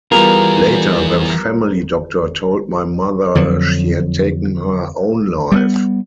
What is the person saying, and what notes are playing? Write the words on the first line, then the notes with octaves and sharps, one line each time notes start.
Later the family doctor told my mother she had taken her own life.
E3 G3 B3 F4 G#4 A#4
F2 D3 F3 F#3
G3 A3 B3